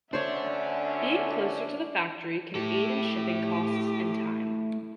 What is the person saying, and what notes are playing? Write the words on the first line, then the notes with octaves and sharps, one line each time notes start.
Being closer to the factory can aid in shipping costs and time.
D2 D3 C#4 D4 C5 C#5 E5
A3 E4 G4 A4